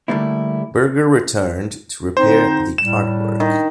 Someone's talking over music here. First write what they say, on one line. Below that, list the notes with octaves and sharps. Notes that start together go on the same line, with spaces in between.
Berger returned to repair the artwork.
D3 F3 G3 A3 A#3 E4
D3 C4 D#4 C5
A2 G3 E7
D#3